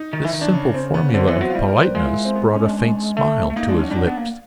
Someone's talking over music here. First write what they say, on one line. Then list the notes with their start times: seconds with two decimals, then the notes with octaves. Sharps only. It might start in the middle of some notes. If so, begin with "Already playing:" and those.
This simple formula of politeness brought a faint smile to his lips.
Already playing: D#4
0.13 D#3
0.24 E3
0.33 D#3
0.41 D4
0.53 C#3 C#4
0.74 C4
0.94 B3
1.14 D3 C4
1.27 E3 B3
1.41 F#3 C4
1.50 F4
1.54 G3 E4
1.68 A#4
1.76 C5
1.81 B4
1.95 G#3 F4
2.04 E4
2.15 E4
2.25 C4
2.35 B3
2.55 C#4
2.65 D4
3.17 A3
3.50 A3
3.56 A#3 D#4
3.68 G#3 D4
3.79 F#3 C#4
3.90 G3 D4
3.97 F#3
4.07 B3
4.17 A#3